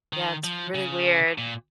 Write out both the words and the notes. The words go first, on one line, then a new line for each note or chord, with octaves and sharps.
Yeah, it's really weird.
D#3
F3
C#3
A#2